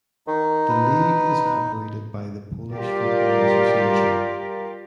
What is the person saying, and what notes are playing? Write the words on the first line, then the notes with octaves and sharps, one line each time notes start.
The league is operated by the Polish Football Association.
D#3 D#4
B4
G3 F4 G4 A#4 D5 F5